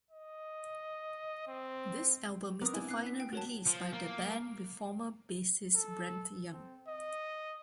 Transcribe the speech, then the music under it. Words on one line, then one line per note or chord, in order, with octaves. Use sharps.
This album is the final release by the band with former bassist Brent Young.
D#5
C4
B3 C4 D4 A#4 D6 D#6
E4 E5 G#5
F#6 C7
B6
G5
F#4 A#4 C#5 A5
F3
A#3
A4
C4
D#5